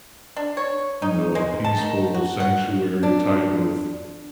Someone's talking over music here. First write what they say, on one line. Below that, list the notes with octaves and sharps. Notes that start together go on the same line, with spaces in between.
you know, a peaceful sanctuary type of,
D4
C#5
D#4
G#3
A5
D#3
F#4
F#5
D4